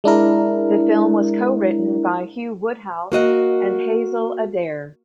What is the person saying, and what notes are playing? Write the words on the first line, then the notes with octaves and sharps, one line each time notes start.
The film was co-written by Hugh Woodhouse and Hazel Adair.
G#3 D4 E4 A#4
A#3 F#4 D#5 F#5